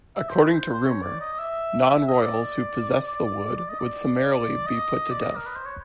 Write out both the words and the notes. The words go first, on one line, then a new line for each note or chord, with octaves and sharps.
According to rumor, non-royals who possessed the wood would summarily be put to death.
E5
C5
B4
C5
C5
C#5
D5
D#5
E5
E5
D#5
D5
D5
D#5
D5
D#5
D5
D#5
A#4
B4
C5
C#5